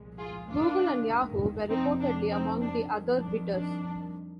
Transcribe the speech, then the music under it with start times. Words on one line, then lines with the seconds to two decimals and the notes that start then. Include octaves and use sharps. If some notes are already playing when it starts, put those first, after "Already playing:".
Google and Yahoo were reportedly among the other bidders.
Already playing: C2 A#2 F3 G#3
0.19 F4 G#4
0.49 D#2 D#3 G#3 D4 F4
1.70 F2 C3 F3 C4 D#4
2.00 D4
2.30 C4 D#4
2.60 D4
2.90 F2 D#3 G3
3.20 D4
3.51 D4